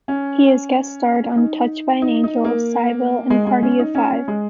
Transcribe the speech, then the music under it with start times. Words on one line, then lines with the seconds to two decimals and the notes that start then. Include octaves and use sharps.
He has guest starred on "Touched by an Angel", "Cybill" and "Party of Five".
0.08 C#4
1.37 D#4
2.02 D#4
2.24 D#4
2.44 A#3
3.30 G#3
3.47 G#3
3.63 C#4
3.79 D#4
3.95 C#4
4.11 C#4
4.28 G#3